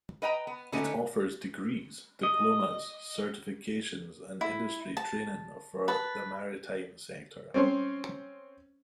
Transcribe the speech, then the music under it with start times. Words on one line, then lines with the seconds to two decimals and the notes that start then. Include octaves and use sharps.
It offers degrees, diplomas, certifications and industry training for the maritime sector.
0.22 B4 D#5 G5 A#5
0.47 B3
0.72 D3 A3 B3 C#4 D#4
2.23 D#5
4.41 E4
4.97 A5
5.88 B4 A5
7.54 C4 C#4 C5